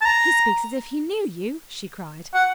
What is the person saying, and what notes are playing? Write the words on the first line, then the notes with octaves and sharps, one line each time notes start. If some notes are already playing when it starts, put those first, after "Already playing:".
"He speaks as if he knew you!" she cried.
A5
A#5
F#5